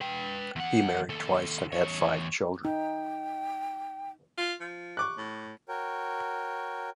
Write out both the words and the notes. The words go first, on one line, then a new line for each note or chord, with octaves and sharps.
He married twice, and had five children.
B4 G5
E2 F#5
D#2 A4
E2 C#5
D#4 G5
F4
F3
C#6 D6 F#6
A2
F#4 A#4 C#5 G5